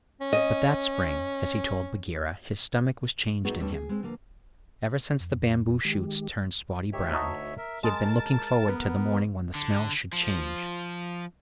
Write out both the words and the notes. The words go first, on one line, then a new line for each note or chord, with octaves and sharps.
But that spring, as he told Bagheera, his stomach was changed in him. Ever since the bamboo shoots turned spotty-brown he had been looking forward to the morning when the smells should change.
C#4
D#5
A3 B3 C4 D#4 F#4 G#4
D#2 G3 C4 D4 B4 C#5
G#4
G#3 C4
D3 F3 A#3
F2
D#3 G#3 G4
D2 D#3 G4 C#5 E5
D#4 F#4 A5
A#4 E5
G#3 A#4 A5
B3
D3
F3